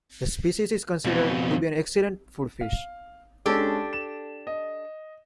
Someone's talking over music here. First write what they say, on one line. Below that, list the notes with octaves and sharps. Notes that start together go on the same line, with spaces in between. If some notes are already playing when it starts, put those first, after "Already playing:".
This species is considered to be an excellent food fish.
F2 B2
F5
G#3 C#4 D4 G4 A4
E7
D#5